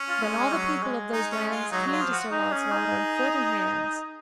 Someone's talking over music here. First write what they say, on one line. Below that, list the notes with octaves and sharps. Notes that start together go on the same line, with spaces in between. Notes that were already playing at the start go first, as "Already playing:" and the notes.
Then all the people of those lands came to Sir Launcelot on foot and hands.
Already playing: C#4
F4
G#3
G#3
F#3
G#3
D#4
C#4
F4
F#3 D#4
F#3
F4
F3
F#4
D#4 G#4
C#4
D#4